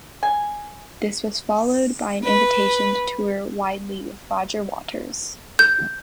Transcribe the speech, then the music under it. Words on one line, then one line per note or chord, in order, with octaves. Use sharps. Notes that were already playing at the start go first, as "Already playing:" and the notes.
This was followed by an invitation to tour widely with Roger Waters.
G#5
B4
G6